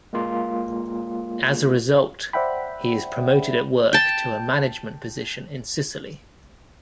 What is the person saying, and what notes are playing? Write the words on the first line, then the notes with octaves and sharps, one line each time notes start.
As a result, he is promoted at work to a management position in Sicily.
G#3 A#3 F4
C5 D5 E5 F#5 G5 B5
G5 A5